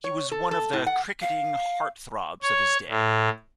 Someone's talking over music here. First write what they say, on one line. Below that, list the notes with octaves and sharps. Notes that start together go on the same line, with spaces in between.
He was one of the cricketing heart-throbs of his day.
C#5
A4
A4
A2
F#5
F5
C#5
A2